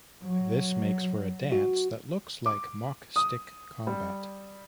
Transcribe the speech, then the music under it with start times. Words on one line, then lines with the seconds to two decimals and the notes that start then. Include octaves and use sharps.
This makes for a dance that looks like "mock stick combat".
0.24 F#3
1.52 F#4
2.46 D6
3.16 D#6
3.87 G3